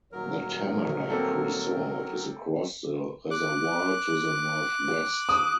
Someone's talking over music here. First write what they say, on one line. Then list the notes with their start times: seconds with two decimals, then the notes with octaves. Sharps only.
The Tamarack Resort is across the reservoir to the northwest.
0.12 D#1 D#2 F#3 A#4 C#5
1.10 A#3 C4 A4
3.31 D6 F#6
5.29 D#6